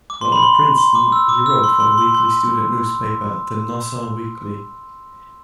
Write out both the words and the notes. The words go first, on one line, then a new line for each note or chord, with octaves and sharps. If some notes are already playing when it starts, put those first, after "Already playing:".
While at Princeton, he wrote for the weekly student newspaper, the "Nassau Weekly".
D6
C6
B5
C6
C6
D6
E6
D6
E6
C6
C6
C6
C6